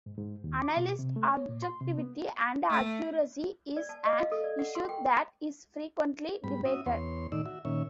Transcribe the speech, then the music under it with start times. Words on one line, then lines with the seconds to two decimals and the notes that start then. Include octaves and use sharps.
Analyst objectivity and accuracy is an issue that is frequently debated.
0.06 G#2
0.18 G#2
0.44 D#2
0.62 D6
0.77 B2
0.99 C3
1.16 A3
1.28 C#5
1.49 A#2
1.62 C6
1.81 C3
1.98 B3
2.70 A3
3.77 D5
3.89 A5
4.05 D#5
4.18 F5
4.32 A4
4.44 D5
4.59 F#5
4.75 C6
4.89 G5
6.44 G#2 G3 B5
6.65 C#4 F#4 E5 D#6
6.86 E2 B3 C#5 C6
7.32 A2 D#3 D#4 D5 E6
7.46 F#4 E5
7.65 A#2 D#3 C#4 C#5 E5